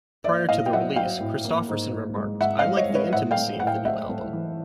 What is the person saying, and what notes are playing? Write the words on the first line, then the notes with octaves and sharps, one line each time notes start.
Prior to the release, Kristofferson remarked: I like the intimacy of the new album.
A#3 D5 E5
A2 D#5 F5
G5
F#3 E5 F#5
F#3 F5 G5
A2
A#3
G#2
G#2
G#3
G#3 E5 F#5
D#5 F5
G#3
C#5 D#5
G#3
B4 C#5
A2 E5 F#5
F5 G5
A3
A2 F#5
F5 G5
A3 E5 F#5
A3
E3